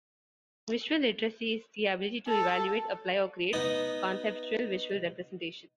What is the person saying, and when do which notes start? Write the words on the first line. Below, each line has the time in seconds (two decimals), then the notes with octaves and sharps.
Visual literacy is the ability to evaluate, apply, or create conceptual visual representations.
2.27 A4
3.53 B3 D#4